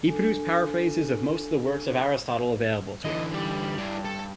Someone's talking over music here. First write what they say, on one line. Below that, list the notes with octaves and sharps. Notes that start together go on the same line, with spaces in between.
He produced paraphrases of most of the works of Aristotle available to him.
D4 A4 G#5
D3 E3 D#5
G3 D5
G2 E4 D5
A4